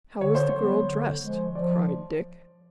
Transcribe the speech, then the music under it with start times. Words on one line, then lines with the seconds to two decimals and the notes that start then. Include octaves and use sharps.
"How was the girl dressed?" cried Dick.
0.20 D3 C#5
0.35 C5
0.49 C#5
0.54 F#3 B3
0.88 D3
1.21 F3 G#3
1.55 F3 D5